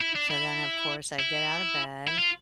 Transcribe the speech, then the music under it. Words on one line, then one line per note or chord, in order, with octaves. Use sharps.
So then of course I get out of bed
E4
D4
E4
E4
E4
F4